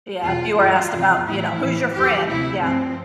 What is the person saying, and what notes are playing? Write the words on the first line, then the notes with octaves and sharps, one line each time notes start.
Yeah, if you were asked about, you know, "Who's your friend?" Yeah.
E2 B2 F4
G2 E3 F4
E2 C3 F3
A2 E3 E4
A2 E3
E2 D3 F3 G4
D2 C3 F3 E4
G2 F3 C4